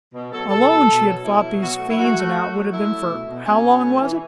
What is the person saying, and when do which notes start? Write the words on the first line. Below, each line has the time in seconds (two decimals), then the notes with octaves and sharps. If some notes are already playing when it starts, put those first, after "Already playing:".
Alone she had fought these fiends and outwitted them for--how long was it?
0.14 B2
0.31 F#3 A4
0.50 B2 A4
0.69 B2
0.87 B2
1.06 F#3
1.24 B2 E4
1.43 F#3
1.61 B2 F#4
1.80 A3
1.90 E4
1.98 A3 F#4
2.17 A3
2.35 A3
2.54 F#3
2.72 A3 E4
2.90 A3
3.09 B2
3.27 B2
3.46 B2 C#4
3.64 B2
3.82 A3
4.01 E3